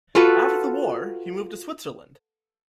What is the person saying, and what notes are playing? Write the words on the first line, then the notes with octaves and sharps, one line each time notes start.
After the war, he moved to Switzerland.
F4 F#4 A4 B4